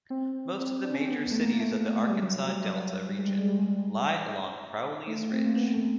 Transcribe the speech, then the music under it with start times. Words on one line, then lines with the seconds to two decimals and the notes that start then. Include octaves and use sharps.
Most of the major cities of the Arkansas Delta region lie along Crowley's Ridge.
0.10 C4
0.60 C4
0.84 D4
0.92 C#4
1.01 C4
1.10 B3
1.31 A3
1.43 A#3
1.60 A3
1.97 G#3
2.09 G3
2.22 F#3
2.34 F#3
2.46 G3
2.60 F#3
2.77 F#3
3.09 G3
3.18 G#3
3.28 G3
3.39 G#3
3.48 G3
3.59 G#3
3.69 G3
5.07 A3
5.32 C4
5.45 A#3
5.57 B3
5.73 A3